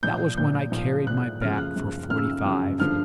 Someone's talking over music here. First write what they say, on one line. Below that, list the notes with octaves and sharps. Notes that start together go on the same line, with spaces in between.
That was when I carried my bat for forty-five.
A#2 F3 G6
A#2 F3 G6
A#2 F3
A#2 F3 F#6
F#2 C#3 F3 F6
F#6
F#2 C#3 F3
F#2 C#3 F3 F6
E6
F6
F#2 C#3 F3
G2 D3 F3 F6